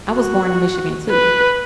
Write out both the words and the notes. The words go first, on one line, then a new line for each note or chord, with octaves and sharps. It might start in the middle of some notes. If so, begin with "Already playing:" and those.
I was born in Michigan too.
F#4
B4